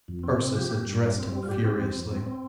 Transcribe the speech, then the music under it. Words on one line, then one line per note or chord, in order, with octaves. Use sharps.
Ursus addressed him furiously.
F2
C4
C3
F3 G4
A#2
G2
G2
C4
G3
F4
G#2 G4
C4
F2
F2
C4
C4